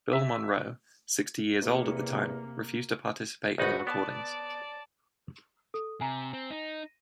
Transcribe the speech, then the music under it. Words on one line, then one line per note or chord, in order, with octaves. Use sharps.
Bill Monroe, sixty years old at the time, refused to participate in the recordings.
E5
E2 C3 A#3
A#1 D#4 F#4 B4 F#5
B3 D5 A5
A4 D#6
C3 G#5 A#5
C4
D#4